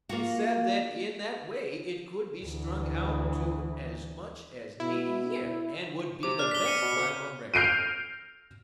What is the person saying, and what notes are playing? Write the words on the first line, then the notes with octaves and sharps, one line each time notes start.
He said that in that way it could be strung out to as much as eighty year, and would be the best time on record.
A#3 F4 F#4
D2 E3
B2 E4
C3 D6
D4 F6
B6 G7
C#7 D#7
B2
D2
F6 G6 C7 D7 D#7